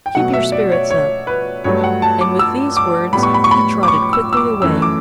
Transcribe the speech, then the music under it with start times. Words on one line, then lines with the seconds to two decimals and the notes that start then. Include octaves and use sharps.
Keep your spirits up.' And with these words he trotted quickly away.
0.06 G5
0.15 B2 F#3 A3 F#5
0.34 E5
0.52 D5
0.72 C#5
0.90 C#5
1.27 B4
1.64 G2 F#3 A3 C#5
1.84 F#5
2.02 A5
2.21 D6
2.39 E6
2.77 D6
3.13 A2 G3 B3 B5
3.23 C#6
3.34 B5
3.44 C#6
3.51 B5
3.83 D6
3.88 C#6
4.13 E6
4.33 E6
4.37 D6
4.62 F#2 E3 A3 E6
4.82 D6